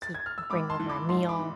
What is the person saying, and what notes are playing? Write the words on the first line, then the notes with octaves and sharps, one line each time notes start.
to bring over a meal,
A6
G#6
F6
E6
G#2 B5 D6
A5 C6
E3
B5 D6
G#2 A5 C6
B5 D6
E3